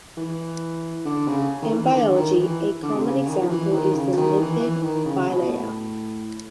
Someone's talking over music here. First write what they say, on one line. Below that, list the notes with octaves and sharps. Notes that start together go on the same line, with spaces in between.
In biology a common example is the Lipid bilayer.
E3
D3
C#3
D#3
E3
D#3
D3
D#3
F3
E3
D3
C3
C#3
D#3
F3
E3
D#3
C#3
D#3
E3
E3
D#3
C#3
B2
A2